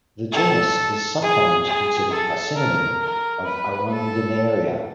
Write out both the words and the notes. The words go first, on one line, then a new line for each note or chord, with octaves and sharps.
The genus is sometimes considered a synonym of "Arundinaria".
A4
G#4
G#4
A4
A#4
A#4
B4
A4